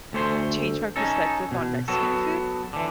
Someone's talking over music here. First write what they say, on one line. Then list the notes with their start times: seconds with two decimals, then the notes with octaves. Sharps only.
changed my perspective on Mexican food,
0.13 D2 A3 C5 C6
0.96 C#4 D#4 A4
1.51 B2
1.88 F#3 B3 F#4 A4
2.73 D3 E3